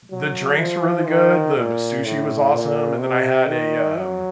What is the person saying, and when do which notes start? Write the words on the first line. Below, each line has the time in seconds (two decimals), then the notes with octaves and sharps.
the drinks were really good, the sushi was awesome, and then I had a, um
0.11 F#3
0.60 F3
1.08 D#3
1.57 A#2
2.04 A2
2.53 A#2
3.01 C3
3.49 D#3
3.98 F#3